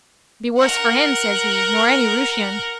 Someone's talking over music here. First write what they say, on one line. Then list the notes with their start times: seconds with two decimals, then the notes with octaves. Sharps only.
Be worse for him, says he, nor any Rooshian.
0.57 A#4 F#5